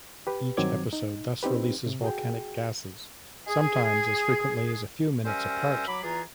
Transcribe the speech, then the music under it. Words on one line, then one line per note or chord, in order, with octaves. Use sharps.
Each episode thus releases volcanic gases, sometimes as frequently as a few minutes apart.
G4 B4
G2 D#3 F#3 C4 D6 G#6
D#4
C4 D#4 G4 B4
C3
F#4 G#4 G5
G#4
G3 C#4 A#4 C5 E5 G#5
F#3 B5 D6
E2 E3 F4 G#4 A#5